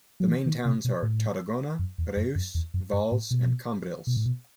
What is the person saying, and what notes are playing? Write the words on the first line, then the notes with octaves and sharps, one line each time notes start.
The main towns are Tarragona, Reus, Valls and Cambrils.
F#3
E3
D#3
C3
B2
A2
F#2
E2
F#2
F#2
E2
F#2
G2
A2
B2
B2
A2
B2